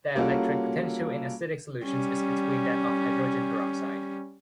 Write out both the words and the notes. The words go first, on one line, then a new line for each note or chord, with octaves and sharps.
Their electric potential in acidic solutions is between that of hydrogen peroxide.
G3 A#3 C#4 F4 F#4 A4
G3 C#4